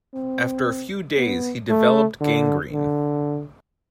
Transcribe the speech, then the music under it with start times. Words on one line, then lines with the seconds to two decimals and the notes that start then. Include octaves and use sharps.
After a few days, he developed gangrene.
0.14 C4
1.18 B3
1.69 A3
2.21 D3
2.72 D3